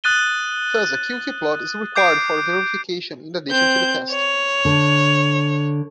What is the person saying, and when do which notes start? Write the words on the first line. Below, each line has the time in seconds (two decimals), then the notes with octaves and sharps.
Thus a Q-Q plot is required for verification in addition to the test.
0.04 D#6 F#6 A6 D#7 G7
1.96 D6 G6 C7 D7
3.51 C4 G6
4.11 C#5
4.65 D3